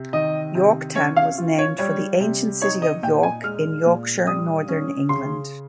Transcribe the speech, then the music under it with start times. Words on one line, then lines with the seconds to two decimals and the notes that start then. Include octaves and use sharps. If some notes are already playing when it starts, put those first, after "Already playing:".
Yorktown was named for the ancient city of York in Yorkshire, Northern England.
Already playing: C3
0.13 D#3 D#5
0.55 C3
0.96 C#4 C#5
1.16 F5
1.38 F4
1.58 C#5
1.78 G3 C#5
2.20 C3
2.62 D#4 C#5
2.82 D#5
3.03 A#2 G5
3.23 G#5
3.44 G#3 F6
3.86 A#2
4.27 G3 D#6
4.68 C#4
5.09 C#3 C6